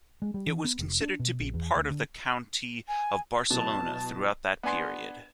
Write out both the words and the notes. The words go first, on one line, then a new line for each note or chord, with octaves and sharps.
It was considered to be part of the County of Barcelona throughout that period.
G#3
G3
E3
B3
F1
D4
B2
A#1
E2
D2
D3
G#5
B2 E3 F#3 A5
B3 D4 G#5 C6